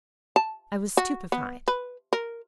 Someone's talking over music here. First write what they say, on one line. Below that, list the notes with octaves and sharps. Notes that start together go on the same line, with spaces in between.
I was stupefied.
A5
F#4
B3
B4
A#4